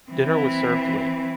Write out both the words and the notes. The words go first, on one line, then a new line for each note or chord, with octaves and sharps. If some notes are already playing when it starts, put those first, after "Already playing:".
Dinner was served late.
E3 C4